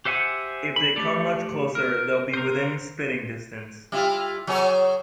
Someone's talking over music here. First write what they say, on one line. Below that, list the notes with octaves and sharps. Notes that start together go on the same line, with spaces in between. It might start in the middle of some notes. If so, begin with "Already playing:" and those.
If they come much closer, they'll be within spitting distance.
G4 C5 E5 F#5 G#5
B5
A3 G4 D5
A#4
A#4 C5
G3 E4 F4
F#3 G#4 C#5